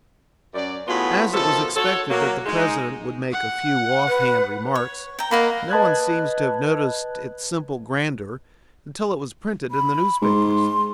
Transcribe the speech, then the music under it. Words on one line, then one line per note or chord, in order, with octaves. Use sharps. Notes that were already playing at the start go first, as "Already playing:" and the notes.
As it was expected that the President would make a few offhand remarks, no one seems to have noticed its simple grandeur until it was printed in the newspapers.
F#2 D5
A2 B3 F4 F#4 G#4 B5
B2 D#3 F3 A4
F#4 A4 C#5
F#3 A#3
G#3 D#4
F#5
B4
C#5
G5 A#5
A#3 D#5 F#5 B5
B4 D#5 A5 B5 F#6 G#6
B5
G#2 C6